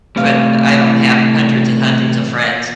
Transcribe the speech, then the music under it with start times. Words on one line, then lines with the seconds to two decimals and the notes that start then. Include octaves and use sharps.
put I don't have hundreds and hundreds of friends
0.16 A2 C3 E3 F5